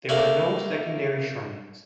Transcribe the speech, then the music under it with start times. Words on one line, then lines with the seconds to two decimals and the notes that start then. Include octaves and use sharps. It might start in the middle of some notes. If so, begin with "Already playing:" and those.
There were no secondary shrines.
0.09 A3 A#3 D4